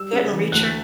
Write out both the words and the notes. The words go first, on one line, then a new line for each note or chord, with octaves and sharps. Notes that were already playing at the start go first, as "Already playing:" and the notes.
Didn't reach her.
Already playing: G3 E6
C#3
E3
D2 F#6